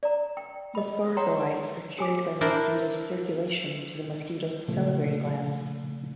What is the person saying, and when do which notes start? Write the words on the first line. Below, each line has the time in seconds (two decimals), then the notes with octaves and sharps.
The sporozoites are carried by the mosquito's circulation to the mosquito salivary glands.
0.03 D5 A#5
0.37 G5
0.75 D#5 B5
1.17 C#5 F#5 G5 A#5 C6
1.99 G4 G#5 D6
2.41 D4 E4 A#4 C5
4.68 A#2 C#3 F3 A3